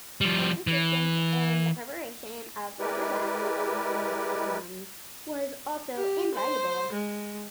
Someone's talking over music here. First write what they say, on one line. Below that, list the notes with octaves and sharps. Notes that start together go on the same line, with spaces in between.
Lane's assistance in the preparation of Harper's Latin lexicons was also invaluable.
F3 G3
E3
G#3 E4 G4 A#4 B4 D5
G4
C5
G#3